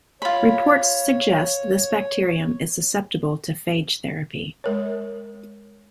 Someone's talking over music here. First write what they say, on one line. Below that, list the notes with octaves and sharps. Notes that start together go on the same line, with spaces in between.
Reports suggest this bacterium is susceptible to phage therapy.
F4 C#5 B5
G#3 A#4 C#5